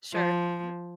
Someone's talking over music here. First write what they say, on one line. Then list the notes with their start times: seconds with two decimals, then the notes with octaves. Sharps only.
Sure, yep.
0.13 F3